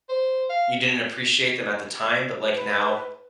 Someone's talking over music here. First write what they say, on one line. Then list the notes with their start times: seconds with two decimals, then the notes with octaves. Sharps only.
you didn't appreciate them at the time, but, like, now,
0.09 C5
0.49 F5
2.53 B4